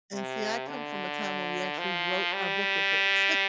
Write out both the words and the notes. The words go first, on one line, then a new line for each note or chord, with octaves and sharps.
And see, I come from a time when we actually wrote our book reports,
C3
D3
F3
G3